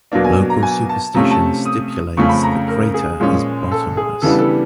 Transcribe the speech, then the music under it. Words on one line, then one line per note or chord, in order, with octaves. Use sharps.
Local superstition stipulates the crater is bottomless.
B2 F#3 A#3 D4
G#5
A#5
G#5
A5
C3 F3 A3 C#4 A#5
A5
D#6
F2 C#3 F3 A3 C#4 C#6
B5
A#5
A#4
G#4
A#2 F3 G#3 C#4
A4
G#4
C#3 E3 G3 B3 D4 A4
A4